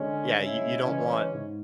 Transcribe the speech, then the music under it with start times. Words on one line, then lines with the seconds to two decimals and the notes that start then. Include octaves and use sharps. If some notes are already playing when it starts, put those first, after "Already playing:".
yeah, you you don't want
Already playing: D3 G#3 C#4
0.34 C#3 G#3 C#4 E4
0.83 C#3 E3 G#3 C#4
1.32 G#2